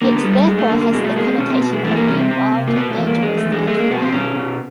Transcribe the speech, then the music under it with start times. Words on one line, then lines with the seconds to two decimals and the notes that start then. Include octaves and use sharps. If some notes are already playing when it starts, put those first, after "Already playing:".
It therefore has the connotation of being wild, dangerous, and fun.
0.02 D3 A#3
0.17 B3
0.24 G3
0.32 A3
0.47 F#2 G#3
0.58 A3
0.70 D3 A#3
0.81 A#3
0.93 B2 G#3
1.04 A3
1.16 G#3 A#3
1.27 C4
1.38 B2 C#4
1.50 C4
1.61 B2 B3
1.73 G#3
1.84 E3 A3
1.96 A#3
2.08 C3 C#4
2.19 C4
2.31 C3
2.52 C3
2.68 A#3
2.76 B2 B3
2.91 A3
2.98 E2
3.07 A#3
3.22 E2 G#3
3.37 A3
3.45 E2
3.52 G#3
3.67 G#3 A3
3.79 A#3
3.91 B2 B3
4.02 C4
4.13 B2 C#4
4.36 B2